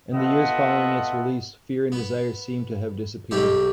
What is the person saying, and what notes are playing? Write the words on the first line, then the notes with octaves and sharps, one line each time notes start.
In the years following its release, "Fear and Desire" seemed to have disappeared.
B3 F4 A4 D#5 E5 F#5
B3
B1 B3 C4 G4